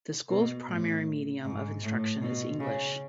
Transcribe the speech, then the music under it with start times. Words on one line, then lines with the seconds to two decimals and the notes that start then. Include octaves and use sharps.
The school's primary medium of instruction is English.
0.30 B2
0.68 A2
1.45 G#2
1.83 A2
2.22 B2
2.60 C#3